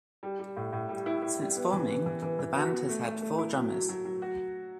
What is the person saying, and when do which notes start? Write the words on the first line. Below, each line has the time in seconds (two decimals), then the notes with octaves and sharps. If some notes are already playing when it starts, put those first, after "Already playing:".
Since forming, the band has had four drummers.
0.23 G3
0.39 G3
0.57 A2
0.73 A2
0.89 G3
1.06 E4
1.22 E4
1.39 G3
1.56 B3
1.72 E3
1.89 B3
2.06 E3
2.22 E3
2.39 E3
2.56 F#4
2.72 B3
2.89 A3
3.05 A3
3.22 A3
3.38 E4
3.55 F#3
3.72 F#3
3.89 F#3
4.05 F#3
4.22 F#4